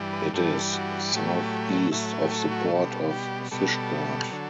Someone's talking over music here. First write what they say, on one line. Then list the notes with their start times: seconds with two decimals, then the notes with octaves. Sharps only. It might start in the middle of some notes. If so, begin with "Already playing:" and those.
It is southeast of the port of Fishguard.
Already playing: G2 E3 G3
0.13 B4
0.33 G2 E3 G3 A4
0.74 F#4
1.13 A2 F#3 A3 G4
1.92 A2 F#3 A3 E5
2.13 E5
2.22 G4
2.32 A4
2.52 F#4
2.71 B2 G3 A4
3.11 G4
3.51 B2 G3 A4
4.31 D3 F#3